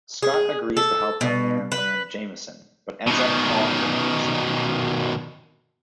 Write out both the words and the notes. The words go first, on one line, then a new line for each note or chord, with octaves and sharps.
Scott agrees to help Dianne land Jamison, but ends up falling for her himself.
G#4
A4
B2
B4
B2 D#3